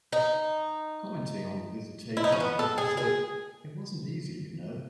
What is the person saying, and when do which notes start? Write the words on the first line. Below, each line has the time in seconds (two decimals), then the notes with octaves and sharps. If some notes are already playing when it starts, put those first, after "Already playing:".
Commenting on the visitation, Hickey said, It wasn't easy, you know.
0.12 D#4
2.17 E4
2.24 D#4
2.32 C#4
2.40 B3
2.59 A4
2.78 G#4
2.97 G#4